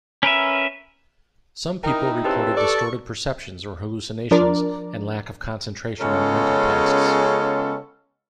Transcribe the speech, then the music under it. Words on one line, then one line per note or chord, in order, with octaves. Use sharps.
Some people reported distorted perceptions or hallucinations and lack of concentration on mental tasks.
C#4 A#4 B4 E5
D#4 E4 A#4 G5 D#6
C#3 C4 G4 B4 A5 E6 F#6
A4 D5 C#6
F3 D4 A#4 D5
C#3 G#3 B3 C#4 F4 A4